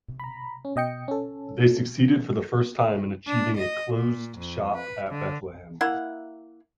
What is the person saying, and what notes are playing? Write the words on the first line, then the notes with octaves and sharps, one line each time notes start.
They succeeded for the first time in achieving a closed shop at Bethlehem.
A#5 B5
C#4
B2 D#5 G5 C#7
C#4 A4
D4
D#5
A#2
F2
B4
D3
A#3 E4 F#5